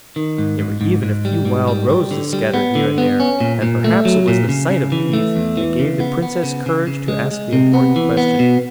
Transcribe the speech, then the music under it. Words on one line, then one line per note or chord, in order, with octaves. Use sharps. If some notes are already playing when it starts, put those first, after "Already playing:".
There were even a few wild roses scattered here and there and perhaps it was the sight of these that gave the Princess courage to ask the important question.
D#3
G#2
G#2
G#2
G#2
G3
G#2
G3
G3
D3
G3
B3
D3
B3
C#4
A#2
A#2
A3
F#3
A#2
C#3
C#3
E3
A3
E2
E3
C#3
B3
B3
C#3
C#3
C#3
G#3
G#3
C3
B3
E3
B3
B2